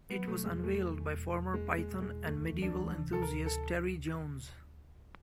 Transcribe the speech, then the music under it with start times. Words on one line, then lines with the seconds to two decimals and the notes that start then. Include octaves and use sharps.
It was unveiled by former Python and medieval enthusiast Terry Jones.
0.10 F#3 B3
0.27 B2 A3
0.46 E2 G#3
0.63 E2 A3
0.81 E2
1.00 E2
1.18 B2
1.35 E2
1.54 E2 G#3
1.72 E2
1.78 G#3
1.90 B2
2.02 G#3
2.08 E2
2.26 D2 A3
2.44 E3
2.62 D2 D4
2.80 E3
2.98 C3
3.13 D2 A4
3.22 A#4
3.34 D2
3.46 A4